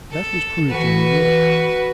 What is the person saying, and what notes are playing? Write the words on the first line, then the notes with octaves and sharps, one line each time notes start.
That was proved in New York.
A4
E3 F#4 B4